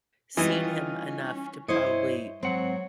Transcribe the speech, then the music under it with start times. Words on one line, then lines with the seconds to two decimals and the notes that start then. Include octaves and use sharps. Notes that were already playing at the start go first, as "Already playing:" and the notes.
seen him enough to probably
0.37 E3 G3 C#4 D#4 F4 D#5
1.68 G2 E4 C5 C#5 D#5
2.43 G#2 F#3 C4 F#5